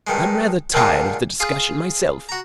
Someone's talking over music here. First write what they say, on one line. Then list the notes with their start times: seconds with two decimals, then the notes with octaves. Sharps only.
"I'm rather tired of the discussion myself."
0.07 G2 D#3 G#3
0.73 D#2 A#2 D3 D#3 G#3 F4
1.40 F4 G#4
2.29 F#4 A#5